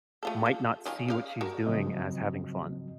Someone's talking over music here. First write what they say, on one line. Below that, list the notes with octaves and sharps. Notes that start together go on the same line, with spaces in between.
might not see what she's doing as having fun.
A3 F4 A4
F4 A4
D#3 F4 G#5
C#3 D#4 F5
F#4 A#4
G#2 C#3 F3 F#3 C4 D#5